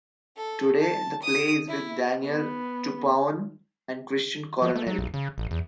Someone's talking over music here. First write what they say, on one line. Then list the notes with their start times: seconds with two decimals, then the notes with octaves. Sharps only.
Today the play is with Daniel Tupauan and Christian Coronel.
0.36 A4
0.80 A5
1.22 D#6
1.68 E4
2.24 B3
4.62 F3
4.76 A3
4.87 F#3
4.98 B1
5.14 C#3
5.38 A1
5.51 E2